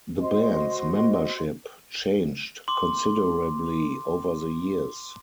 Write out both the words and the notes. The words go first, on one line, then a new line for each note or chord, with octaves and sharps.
The band's membership changed considerably over the years.
F#4 C5 D#5 C6
C6 D6